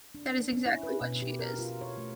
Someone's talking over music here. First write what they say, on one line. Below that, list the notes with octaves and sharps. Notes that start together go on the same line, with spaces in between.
That is exactly what she is.
D4
C#4
E4
B4
B2
G4
A#4
F4
C#5
A3